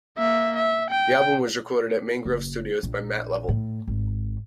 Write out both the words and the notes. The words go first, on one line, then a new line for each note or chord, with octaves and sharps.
The album was recorded at Mangrove Studios by Matt Lovell.
A#3 E5
E5
G5
F#1
A#1
A2
G#1